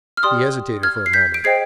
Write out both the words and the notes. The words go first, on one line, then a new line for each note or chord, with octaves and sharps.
He hesitated for a moment.
F6
G4 D5 G5 C6 D#6
F6 G#6
C7
G6 B6
D7
G#4 C5 D#5 G5 G#6 C7